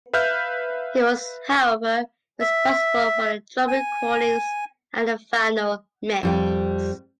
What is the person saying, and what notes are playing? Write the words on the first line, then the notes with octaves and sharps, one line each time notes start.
He was, however, responsible for the drum recordings and the final mix.
B4 E5 F5 F6 G6
E5
G#5
F2 G3 G5